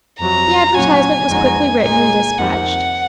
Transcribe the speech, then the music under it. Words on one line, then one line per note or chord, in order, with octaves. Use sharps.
The advertisement was quickly written and despatched.
F2 C3 F#3 A#5
A#2 F#3 C#4 F#4 C#5 G#5
F2 D#3 G#3 D#4 F#4
A#2 G#3 D#4 G#4 G#5
F2 C3 D#3 F#5